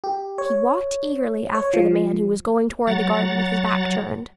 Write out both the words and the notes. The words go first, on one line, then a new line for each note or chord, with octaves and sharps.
He walked eagerly after the man who was going toward the garden with his back turned.
G4
C#5
C#5
F3
F#3 F#5 A#5 A6